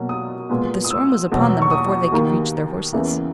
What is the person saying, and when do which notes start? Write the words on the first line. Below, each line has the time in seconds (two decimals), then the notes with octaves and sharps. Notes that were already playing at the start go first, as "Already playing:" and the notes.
But the storm was upon them before they could reach their horses.
Already playing: B2 F#3 A#3
0.09 D#6
0.49 A#2 G#3 B3
0.84 D#6
0.91 E6
1.32 E2 B2 F#3
1.62 C#6
1.71 D#6
2.12 D#2 D#3 A#3
2.93 E2 C#3 E3 A#3